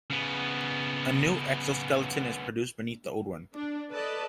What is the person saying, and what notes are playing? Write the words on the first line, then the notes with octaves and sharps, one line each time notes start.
A new exoskeleton is produced beneath the old one.
C#3 B3
D4
A4 B4 D5 D#5 A5